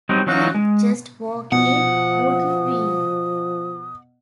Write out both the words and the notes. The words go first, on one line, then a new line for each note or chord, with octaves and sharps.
We'd just walk in, wouldn't we?
F#3 G3 C4 D#4
E3 F#3 D#4 F4 F#4
G#3
B2 F3 F#5 D#6